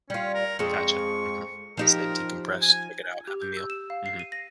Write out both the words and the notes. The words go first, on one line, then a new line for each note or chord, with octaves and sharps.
Gotcha, mhm. So, decompress, check it out, have a meal. Mhm.
G3 C#4 F4
A#4
F2 F3 G#3 C#6
F3 D#4 G4 A#4
G#5
G4
G6
E6
E7
F5
C7
D#7
A#6